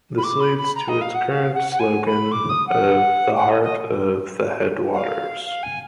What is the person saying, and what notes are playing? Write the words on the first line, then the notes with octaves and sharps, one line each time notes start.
This leads to its current slogan of 'the heart of the headwaters'.
B5
D6
B5
B5
A#5
D#5
F5
F#5
F#5
F5
F#5
F#5
G#5
B5
D6
D#6
F#5
F#5
D#5
D#5
F#5
F5
F5
G#5